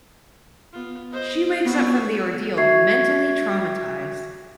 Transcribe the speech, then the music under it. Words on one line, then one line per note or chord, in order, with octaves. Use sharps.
She wakes up from the ordeal mentally traumatized.
B3 F4
C5 D#5
B3 C4 F#4
F#4 E5 C#6 G#6 C7